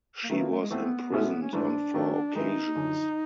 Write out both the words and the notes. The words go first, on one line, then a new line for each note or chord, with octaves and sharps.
She was imprisoned on four occasions.
A#3
D#3 F#3 A3 B3 E4
A#3
A3
G#3
E3 A3 B3 C4
B2 G#3 C#4 E4 A4
C#4
G#2 E3 A3 D4
D#3 F#3 A3
D#3 G#3 B3 D#4 E4
F#2 D3 F3